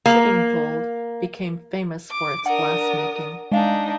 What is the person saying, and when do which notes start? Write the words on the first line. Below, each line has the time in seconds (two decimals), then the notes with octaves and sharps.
Chiddingfold became famous for its glass-making.
0.06 A#3
2.10 D6
2.46 D4 A#4 F#5 D#6
3.52 G#3 D4 D#4 F5